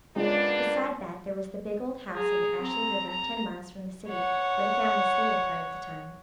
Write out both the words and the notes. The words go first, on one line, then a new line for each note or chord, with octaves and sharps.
Beside that there was the big old house on the Ashley River ten miles from the city, where the family stayed a part of the time.
G#3 A#3 B3 C#4 D4 F4
G#4 A#5
C4 A#5
A#5
C#5 F#5